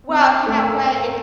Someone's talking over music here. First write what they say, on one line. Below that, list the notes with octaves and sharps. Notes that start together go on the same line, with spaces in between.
Well, you know what, i
C4
A3
A#3
A#3